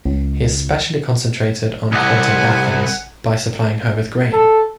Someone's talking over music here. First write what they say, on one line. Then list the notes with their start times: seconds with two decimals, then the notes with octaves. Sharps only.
He especially concentrated on courting Athens, by supplying her with grain.
0.05 C#2
1.92 C2 F#5 G#5
4.33 A4